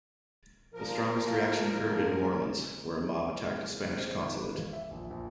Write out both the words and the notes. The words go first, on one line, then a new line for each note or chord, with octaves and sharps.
The strongest reaction occurred in New Orleans, where a mob attacked the Spanish consulate.
A#2 F3 A#4
C4
D#3
B4
G#1
E5
A#1
A#1